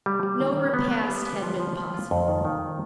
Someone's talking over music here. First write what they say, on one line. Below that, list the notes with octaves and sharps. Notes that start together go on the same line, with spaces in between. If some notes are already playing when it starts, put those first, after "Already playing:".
No repast had been possible.
G3
G3
D#3
D#3
B3
B3
G3
B4
F3
F3
F3
F4
F2
D#3
D#3